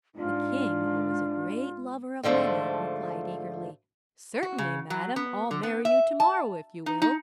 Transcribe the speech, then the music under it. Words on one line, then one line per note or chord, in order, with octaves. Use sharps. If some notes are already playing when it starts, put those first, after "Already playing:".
The king, who was a great lover of money, replied eagerly, "Certainly, madam, I'll marry you to-morrow if you will."
G#2 D4 F4
G#2 D3 F3 A3
F#4
C#3
F#3
B3
D3
B3
E5
A5
D#4
D#4